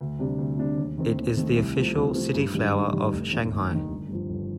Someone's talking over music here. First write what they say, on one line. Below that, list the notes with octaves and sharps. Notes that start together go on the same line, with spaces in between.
It is the official city flower of Shanghai.
D2
C3 G3 D4
D2
C3 G3 D4
D#2
D#3 A3 C4
D#2
D#3 A3 C4
C2
C3 F3 A3 C4
C2
C3 F3 A3 C4
G2
D#3 G3 D4
G2
D#3 G3 D4
F1
D#2 D#3
F1
D#2 D#3
G1
G2 F3
G1